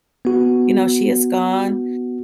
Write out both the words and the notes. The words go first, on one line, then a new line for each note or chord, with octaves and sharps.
you know, she is gone.
B3 F#4